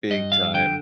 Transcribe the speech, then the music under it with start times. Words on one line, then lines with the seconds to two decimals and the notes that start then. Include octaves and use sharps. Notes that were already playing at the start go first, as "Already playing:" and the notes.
Big time,
0.10 G2 D#5
0.32 F5
0.54 D3 G5